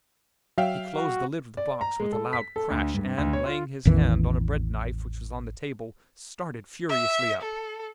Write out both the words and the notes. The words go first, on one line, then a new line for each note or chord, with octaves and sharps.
He closed the lid of the box with a loud crash; and, laying his hand on a bread knife which was on the table, started furiously up.
F#3 E5 F5 G5
F#4
D5
A#5
G#3
A4
B6
A4
D2
G2
D2
C#5
F4
A1 E2 D#3 E3
E5
A4